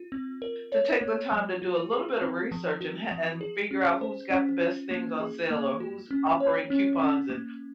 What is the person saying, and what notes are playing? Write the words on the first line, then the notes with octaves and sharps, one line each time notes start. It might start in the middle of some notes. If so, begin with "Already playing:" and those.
to take the time to do a little bit of research and ha and figure out who's got the best things on sale or who's offering coupons, and
Already playing: F4
C4
A#4
C#5
A#3
F#3
F4
G#4
C4
F3
F#4
F3
G#4
C#4
C5
C#4
F4
A#3
G#4
A#3
F#4
C#4
C#5
C#4
C#4
A#3